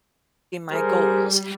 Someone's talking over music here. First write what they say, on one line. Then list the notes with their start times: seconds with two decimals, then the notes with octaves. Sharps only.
my goals.
0.72 G3 G#4 A#4 C5